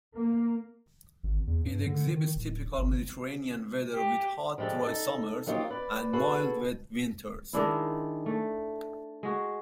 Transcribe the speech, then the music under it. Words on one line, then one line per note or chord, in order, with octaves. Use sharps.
It exhibits typical Mediterranean weather with hot, dry summers and mild, wet winters.
A#3
G#1
E2
G2
D3
D#3
D1
G1
G4
F3 G3 G#3 G4 A4
D#4 A4
F3 F#3 A#3 D#4 F4 G4
B4 D5
F#4 G#4 A4 B4
D#3 G#3 D4 E4
A3
G#3 F#4